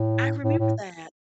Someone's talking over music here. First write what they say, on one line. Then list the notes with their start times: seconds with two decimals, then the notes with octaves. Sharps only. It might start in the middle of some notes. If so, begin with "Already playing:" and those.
I remember that.
Already playing: A2
0.43 A2
0.59 A2